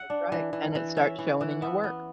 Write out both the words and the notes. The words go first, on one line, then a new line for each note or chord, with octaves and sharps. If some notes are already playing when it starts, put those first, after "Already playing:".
That's right, and it starts showing in your work.
Already playing: E5 F#5
D4
E3
E3
E3
C#4 E5
E3
E3
F#5
B3 E5
B3